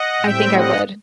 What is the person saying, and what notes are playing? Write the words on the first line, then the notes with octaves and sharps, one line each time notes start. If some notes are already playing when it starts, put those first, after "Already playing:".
I think I would.
Already playing: D#5 F#5
A2 G3 C4 E5 G5
D#5 F#5